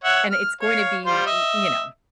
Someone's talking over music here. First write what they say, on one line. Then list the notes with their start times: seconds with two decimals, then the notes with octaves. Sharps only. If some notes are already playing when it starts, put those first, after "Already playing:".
and it's going to be u you know,
0.04 C#5 E5 F#5
0.31 F6
0.61 C#5 F5
1.06 G3 F4 C5
1.26 D#5 E5